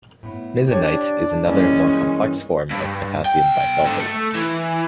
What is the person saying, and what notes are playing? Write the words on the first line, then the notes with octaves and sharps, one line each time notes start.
Misenite is another, more complex, form of potassium bisulfate.
A2 B3
D4 G4 C#5 D5
G2 E3 G#3 A#3 C#4
G2
B1 G5
G#2 D3
A3
E3